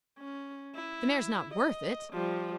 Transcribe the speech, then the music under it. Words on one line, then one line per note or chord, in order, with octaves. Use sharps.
The mare's not worth it.
C#4
E4
D#5
F3 G3